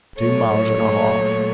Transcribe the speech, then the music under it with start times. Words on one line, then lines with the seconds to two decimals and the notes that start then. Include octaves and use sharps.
"Two miles and a half."
0.18 A#2 F#3 A3 C#5